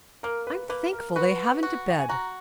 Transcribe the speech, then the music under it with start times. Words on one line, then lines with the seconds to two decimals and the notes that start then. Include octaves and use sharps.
I'm thankful they haven't a bed.
0.23 A#3 A#4
0.47 B4
0.69 A#3 B4
0.93 A#4
1.16 F#4 B4
1.63 F#4
1.90 F#5
1.99 G#5
2.09 F#4 A#5